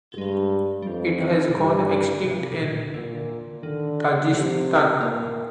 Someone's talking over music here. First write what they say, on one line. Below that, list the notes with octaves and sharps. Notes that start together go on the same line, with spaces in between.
It has gone extinct in Tajikistan.
G2 G#3
G3
F2 F3
D#3
C3
G2 D3
C3
C3
A#2
A#2 D3
D3 D#3
C3 F3
A#2 A#3